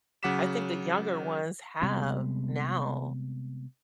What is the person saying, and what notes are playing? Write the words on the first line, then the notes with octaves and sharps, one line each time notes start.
I think the younger ones have now
C#3 F#3 F#5 D6 B6 E7
C3 G3 G#3 B3